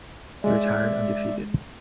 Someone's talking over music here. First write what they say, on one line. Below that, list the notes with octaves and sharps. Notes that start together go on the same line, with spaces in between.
He retired undefeated.
G#3 D5 E5